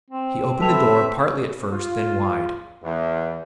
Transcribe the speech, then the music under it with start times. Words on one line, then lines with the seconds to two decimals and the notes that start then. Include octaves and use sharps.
He opened the door, partly at first, then wide.
0.10 C4
0.61 A3 C4 A4 B4 E5 A5 F7
1.73 F4
2.83 E2